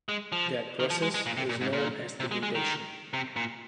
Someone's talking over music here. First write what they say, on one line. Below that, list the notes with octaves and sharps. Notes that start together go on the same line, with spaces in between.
That process is known as pigmentation.
G#3
F3
D#3
F3
G#3
G#3
A#2
C3
A#2
G#2
A#2
C3
G#3
G#3
D#3
C3
A#2